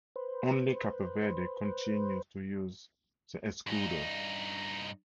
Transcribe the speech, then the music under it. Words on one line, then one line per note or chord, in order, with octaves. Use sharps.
Only Cape Verde continues to use the escudo.
B4 C5
G2 D#4